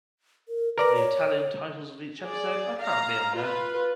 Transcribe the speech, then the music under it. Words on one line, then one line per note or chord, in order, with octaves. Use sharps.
The Italian titles of each episode are currently unknown.
A#4
A#4 B4 D5 A#5
C#5
G#4 D5
F5 A#5
F4 B4